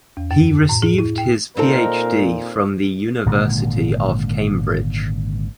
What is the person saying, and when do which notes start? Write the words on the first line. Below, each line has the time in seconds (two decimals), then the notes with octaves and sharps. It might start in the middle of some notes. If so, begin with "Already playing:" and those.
He received his PhD from the University of Cambridge.
0.17 E2
0.31 F#2
0.69 A2
0.82 G#4
0.98 E4
1.18 G5
1.57 A#2 C4 D#4 A4 A#4
3.26 G#1 A#2 D3 G#3